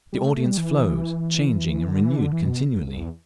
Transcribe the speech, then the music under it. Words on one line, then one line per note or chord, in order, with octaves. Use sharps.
The audience flowed, changing and renewed continually.
G3
A3
A3
G3
E3
D3
E3
D3
E3
B2
G2
G2
E2